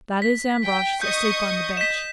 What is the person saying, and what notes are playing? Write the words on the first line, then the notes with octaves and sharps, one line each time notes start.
That is Ambrosch, asleep on the bench.
B6
G5
D#5 C#6 D#6 G6
D#5 B6 E7